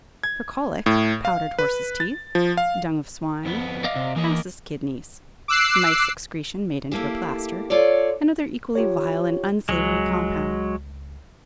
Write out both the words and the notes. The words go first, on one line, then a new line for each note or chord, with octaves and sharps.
For colic, powdered horse's teeth, dung of swine, asses' kidneys, mice excretion made into a plaster, and other equally vile and unsavory compounds.
G#6
A2
F5
B4
A6
F3
F5
F2 B3
D5 D#5 F5
C3
E3 A#3 D#5
D6 E6 F#6 C7
A3 A#3 E4 G4
F4 A4 C#5 D5
F4 G4 C#5
C#2 F#3 G#3